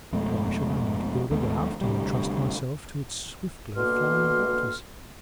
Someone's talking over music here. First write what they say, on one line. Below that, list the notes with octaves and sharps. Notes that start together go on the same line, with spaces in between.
Why should I not build a raft and trust myself to its swiftly flowing waters?
F2 B2 G#3 A3
D#2 G#3 A3 B3
D2 C3 G3
D2 B2 A#3 C6 F6